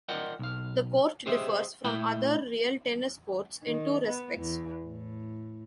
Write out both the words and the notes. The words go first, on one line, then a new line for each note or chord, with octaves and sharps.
The court differs from other real tennis courts in two respects.
F4 A#4 D5 D#5 F#5 G5
B1 F5
G4 G#4 C5 D#5 E5 G5
A#2 A3 E4 E5 G5 B5
D#3
B3
E2
A2